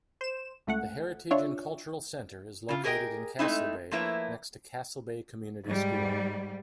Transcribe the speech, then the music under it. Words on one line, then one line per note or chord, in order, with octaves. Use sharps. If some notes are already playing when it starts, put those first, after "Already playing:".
The Heritage and Cultural Centre is located in Castlebay, next to Castlebay Community School.
C5 E7
C#2 A3 F#5
D4 F4 C#5 E5
C#3 F4
G4 G#4 A#4 B4 D#5 G5
G#3 A3 C4 D#4 E4
F3 A3 A#3 E4 B4 C#5
G#2 G3